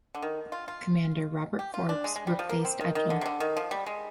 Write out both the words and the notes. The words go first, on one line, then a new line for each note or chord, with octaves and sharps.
Commander Robert Forbes replaced Edgell.
D3
D#3
F4
F4
G4
F4
D4
G#3
G#3
G3
F3
A#3
C4
D#3
D#3
D3
C3
D3
D#3
F3
G3
G#3